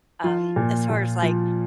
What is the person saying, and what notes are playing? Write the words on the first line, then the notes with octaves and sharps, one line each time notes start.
Um, as far as, like
F3 F4
A#2
A#2
F3